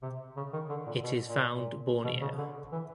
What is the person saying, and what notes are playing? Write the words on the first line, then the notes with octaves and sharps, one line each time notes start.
It is found Borneo.
C3
C#3
D#3
D3
A#2
B2
A#2
A#2
B2
C#3
D3
E3